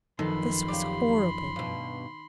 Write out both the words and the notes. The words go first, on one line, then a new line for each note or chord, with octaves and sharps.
This was horrible.
F#2 D#3 F3 A4 B4 B5 C6
C#3 G4 D5
G2 B2